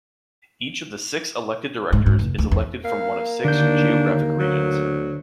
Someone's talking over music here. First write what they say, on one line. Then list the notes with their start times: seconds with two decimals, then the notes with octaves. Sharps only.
Each of the six elected directors is elected from one of six geographic regions.
1.93 G#2
2.06 G#2
2.19 F1
2.38 D2
2.51 E2
2.85 A#3 F5
3.45 D#2 D3 D4 G6
4.40 D2 F#3